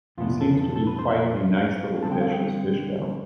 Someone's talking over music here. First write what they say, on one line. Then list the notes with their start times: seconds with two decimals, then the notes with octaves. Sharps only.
He seems to be quite a nice little fish, as fish go.
0.18 F2 C3 E3 B3 D4 F4
0.41 A4
0.64 A4
0.76 A4
0.87 B4
0.99 C5
1.10 E5
1.57 F5
2.03 D3 G3 C4 A5
2.12 G5
2.21 F5
2.29 G5